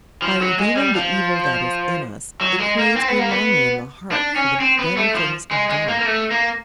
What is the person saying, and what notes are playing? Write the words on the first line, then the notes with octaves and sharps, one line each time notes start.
By revealing the evil that is in us it creates a longing in the heart for the better things of God.
F3
F#3
G#3
G3
F3
F#3
G#3
A#3
C4
B3
A#3
B3
D4
C#4
C4
B3
A3
F3
G#3
G#3
A#3
A#3
A3
A#3